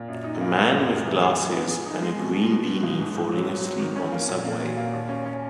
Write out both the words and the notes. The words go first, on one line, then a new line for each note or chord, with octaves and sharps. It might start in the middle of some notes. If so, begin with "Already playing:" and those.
A man with glasses and a green beanie falling asleep on the subway.
Already playing: A#2
F#2
D#4
A#3
A#3
F#2
A#3
E3
G#4
G#4
B3
G#4
D#4
G#3
B2
B2
B2
B2
C#2
G#2
G#2
F#3
F#3
F#3
D#3
C#4
A#3
A#2
A#3
F#4
A#3
D#2
C#4
C#4